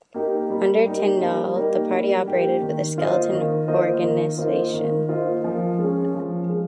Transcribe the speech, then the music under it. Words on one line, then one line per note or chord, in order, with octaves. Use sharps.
Under Tyndall, the party operated with a skeleton organisation.
A#3 D#4 G4
G3
A#3 D#4 G4
G3
A#3 D#4 G4
G3
A#3 D#4 G4
D#3
A#3 F4 C5 D#5
D#3
A#3 F4 C5 D#5
D#3
A#3 F4 C5 D#5
D#3
A#3 F4 C5 D#5
F3
G#3 C#4
F3
G#3